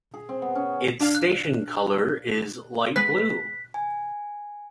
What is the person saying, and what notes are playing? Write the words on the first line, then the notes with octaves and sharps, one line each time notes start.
Its station colour is light blue.
G#4
C4
B3
C#4
D4 F5
F#6
G#3 B3 B4 F#6 B6
G#5